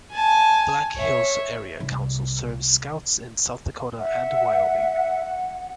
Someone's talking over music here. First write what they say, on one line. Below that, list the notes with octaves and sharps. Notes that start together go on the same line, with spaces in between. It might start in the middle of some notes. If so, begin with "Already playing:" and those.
Black Hills Area Council serves Scouts in South Dakota and Wyoming.
G#5 A5
C#5 E5
C2
E5 F#5